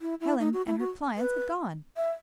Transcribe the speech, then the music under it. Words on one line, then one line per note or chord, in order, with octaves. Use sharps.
Helen and her clients had gone.
E4
E4
D#4
F#4
E4
F#4
B4
E5